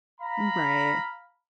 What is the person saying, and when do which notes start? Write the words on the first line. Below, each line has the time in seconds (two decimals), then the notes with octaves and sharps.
Mm, right.
0.20 F5 A#5 B5